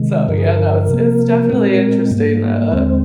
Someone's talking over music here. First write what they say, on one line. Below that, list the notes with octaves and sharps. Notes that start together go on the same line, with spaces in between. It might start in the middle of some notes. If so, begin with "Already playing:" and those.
So, yeah, no, it's it's definitely interesting, uh,
Already playing: C3 D#3 G#3
G2 D3 F3 A#4
G#4
A#4
C3 F3 A#3
A#2 G#3 C4
G#2 G3 A#3
A#4
D#2 D3 G#3 C4 C5